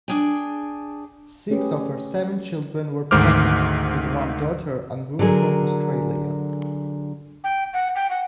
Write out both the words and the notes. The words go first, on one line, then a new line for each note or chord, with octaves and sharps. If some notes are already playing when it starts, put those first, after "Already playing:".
Six of her seven children were present, with one daughter en route from Australia.
D4 G#4 G5
A3 C#4 G4 G#4 B4
D2 G#2 D#3 C5 D6 F6
D3 F#3 G#4 A#4 G#5
G5
F#5
G5
F#5